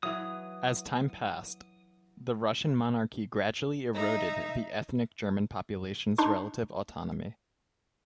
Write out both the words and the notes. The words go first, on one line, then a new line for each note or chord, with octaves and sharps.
As time passed, the Russian monarchy gradually eroded the ethnic German population's relative autonomy.
E3 F#3 D#6
D#4 E5
D4 D#4 C6